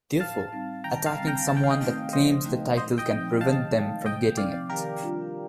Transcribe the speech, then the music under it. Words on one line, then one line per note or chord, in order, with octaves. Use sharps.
Therefore, attacking someone that claims the title can prevent them from getting it.
A2 F5 A5
G3 C4 D#4
D#3 G5 A#5
F5 A5
G3 C4
G5 A#5
D#3 A5
G5
F5
D#5 G5
A3 C4 D#4
F3 C5 D#5
A3 D#4
A#2 C5 D#5
D#5 G5
F3 C4 D#4
D#3 F5 A5
A3 D#4
C3 D#5 G5
F3 C4 D#4 D5 F5
D#3 G4 A#4
G3 D4 F4